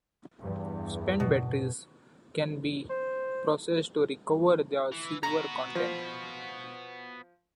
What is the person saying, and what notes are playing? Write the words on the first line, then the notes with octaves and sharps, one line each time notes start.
Spent batteries can be processed to recover their silver content.
E2 G2
B2
C5
E3
B3 F#4 A#5
F3